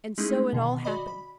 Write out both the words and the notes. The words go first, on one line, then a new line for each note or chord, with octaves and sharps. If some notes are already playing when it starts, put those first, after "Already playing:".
And so it all happened.
G#3 A3 C#4 D#4 E4 G#4
B2 D3 D#3
F#4 D5 D#5 B5
B5